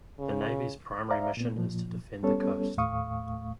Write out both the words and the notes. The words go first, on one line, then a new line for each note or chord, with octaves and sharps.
The Navy's primary mission is to defend the coast.
C#3
C5 D5 E5 F5 A#5
A#2 B3
A#2 F3
G3 B3 C#4 A4 C#5
D#2 A2 A3 F5 C#6 D#6